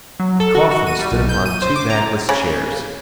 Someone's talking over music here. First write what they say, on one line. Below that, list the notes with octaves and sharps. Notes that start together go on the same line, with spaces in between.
A coffin stood upon two backless chairs.
F#3
A4
F#4
F#4
D#7
G3
B1
G6
D#7
C5
D6
A#5
C#3